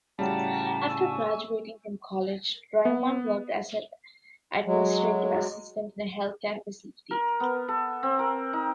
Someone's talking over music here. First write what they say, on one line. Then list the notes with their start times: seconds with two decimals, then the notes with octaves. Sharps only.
After graduating from college, Draiman worked as an administrative assistant in a healthcare facility.
0.19 A2 C#3 G3 F#4 G4 A5 A#5
0.88 G#5 C#6 E6
2.85 B3
4.66 F#3 G#3
7.11 A#4
7.40 B3
7.68 A4
8.03 C4
8.19 A#4
8.53 D#4